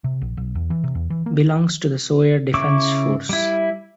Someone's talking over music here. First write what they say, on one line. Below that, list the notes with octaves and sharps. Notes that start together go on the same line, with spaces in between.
Belongs to the Soya Defense Force.
C3
A#1
B1
E2
E3
C3
E2
E3
A#3
C#3 E4 C#6 D6 E6
G3 E4